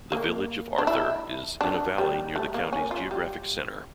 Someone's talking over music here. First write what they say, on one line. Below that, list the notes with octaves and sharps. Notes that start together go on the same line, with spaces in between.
The village of Arthur is in a valley near the county's geographic center.
A#3
D4
E4
D4
G3
A3
A#3
C#4
F4
G3